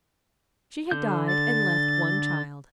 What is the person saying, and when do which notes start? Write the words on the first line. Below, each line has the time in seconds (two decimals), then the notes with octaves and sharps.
She had died and left one child.
0.91 D3 G6
1.28 A6